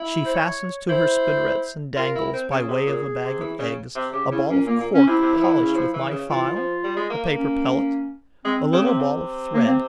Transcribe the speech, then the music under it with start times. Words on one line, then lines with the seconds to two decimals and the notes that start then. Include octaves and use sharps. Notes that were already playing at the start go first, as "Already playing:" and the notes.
She fastens to her spinnerets and dangles, by way of a bag of eggs, a ball of cork polished with my file, a paper pellet, a little ball of thread.
Already playing: E4
0.26 C5
0.35 C#5
0.89 E4 C5
1.97 F4 A#4
2.16 E4
2.33 C4
2.51 C#3 G#4
2.68 C3
2.87 A#2
3.23 C3
3.41 E3
3.59 C#3
3.95 C3
4.13 C#3 G4
4.31 C#3 E4
4.49 A#2 C#4
4.67 A#2 A#3
4.80 A#2
4.94 C#4
5.07 C3 E4
5.22 C3
5.34 E3
5.41 F3
5.49 E3
5.61 C#3
5.75 F3
5.94 E3
6.11 C#3
6.30 E3 F4
6.56 F3
6.84 G3
6.97 G#3
7.10 A#3
7.24 A#3
7.37 C#4
8.45 G#3 C4
8.73 C#3
8.86 C3
8.99 C3
9.54 A#3
9.67 C4